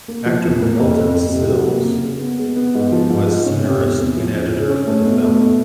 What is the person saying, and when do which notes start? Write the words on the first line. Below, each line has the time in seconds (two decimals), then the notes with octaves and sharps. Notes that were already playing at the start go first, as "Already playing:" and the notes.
Actor Milton Sills was scenarist and editor for the film.
0.08 A#3
0.26 F3
0.45 E2
0.62 A#3
0.80 F2
0.97 F2
1.14 F2
1.32 C3
1.50 F#3
1.68 A#3
1.86 C#3
2.04 C#3
2.21 B3
2.39 G#3
2.56 B3
2.75 G#2
2.92 F3
3.10 G#2
3.27 G#2
3.46 C#4
3.63 C3
3.81 E2
3.98 E2
4.17 F3
4.35 C#4
4.52 C#3
4.69 C#4
4.87 A3
5.05 B2
5.23 A3
5.40 B2